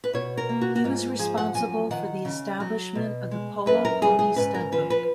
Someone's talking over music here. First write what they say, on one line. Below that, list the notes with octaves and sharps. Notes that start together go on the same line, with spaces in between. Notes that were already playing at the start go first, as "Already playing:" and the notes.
He was responsible for the establishment of the Polo Pony Stud book.
B4
B2 C#5
A#4
A#3
F#4
F#4
G#2 F4
F3 G#4
F#5
F#2 G#5
D#3 F#5
C#3
F#3
B2
G#3
F#2 B4
A#4
C#3 G#4
G#4
G#2 B4
A#4
F3 B4
B4